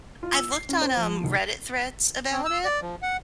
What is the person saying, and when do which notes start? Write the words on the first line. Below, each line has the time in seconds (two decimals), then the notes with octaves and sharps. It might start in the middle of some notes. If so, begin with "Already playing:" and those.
I've looked on, um, Reddit threads about it,
0.23 F4
0.35 E6
0.52 C7
0.69 C#4
0.82 C5
0.97 F3
1.24 F1
2.32 C4
2.45 E6
2.65 D5
2.82 F3
3.02 F#5